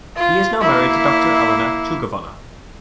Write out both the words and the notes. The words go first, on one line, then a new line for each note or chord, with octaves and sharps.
He is now married to Doctor Elena Tchougounova.
F4
A#3 E4